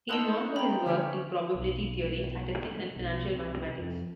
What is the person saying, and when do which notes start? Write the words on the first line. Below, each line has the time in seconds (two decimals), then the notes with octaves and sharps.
He is known for his work in probability theory, statistics and financial mathematics.
0.09 D#4 E4 C5 D#5 F#5 A5 F#6
0.56 G5 A#5 B5
0.86 D3 C#4 G4 C#5
1.55 B1
2.96 B1
3.32 C2
3.78 F2